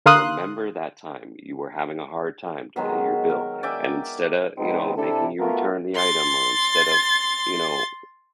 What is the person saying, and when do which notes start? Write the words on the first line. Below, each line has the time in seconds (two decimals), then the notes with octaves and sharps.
Remember that time you were having a hard time to pay your bill, and instead of," you know, "making you return the item, or instead of," you know, "g
0.06 D3 A#4 F5 C6 D#6 F#6
2.76 B2 D#3 F#3 G#3
3.30 A#4
3.63 D5 E5 G5 G#5
4.58 C#2 G#3 B3 C4 D#4
4.97 C3 D4 E4 A4
5.39 A3 B3 F4 F#4 A#4
5.95 C6 A6